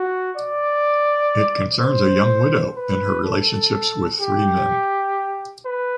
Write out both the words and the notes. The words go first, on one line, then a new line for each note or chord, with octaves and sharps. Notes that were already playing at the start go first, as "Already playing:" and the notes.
It concerns a young widow and her relationships with three men.
Already playing: F#4
D5
C5
B4
A4
G4
B4